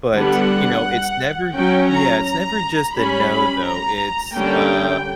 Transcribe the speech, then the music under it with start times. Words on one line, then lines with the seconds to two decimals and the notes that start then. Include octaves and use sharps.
But, you know, it's never yeah, it's never just a "no," though. It's, uh
0.14 D3 G3 B3 D4 F#5
1.54 F#3 C#4 G5
1.89 A#5
2.25 A#5
2.95 G3 C#4 B5
3.65 A#5
4.35 D3 G3 A#3 C#4 G5